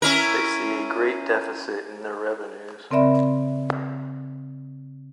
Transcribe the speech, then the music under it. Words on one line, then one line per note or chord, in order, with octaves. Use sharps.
They see a great deficit in their revenues.
C#4 E4 A#4
C#3 C4 A#4 D5 E5 B5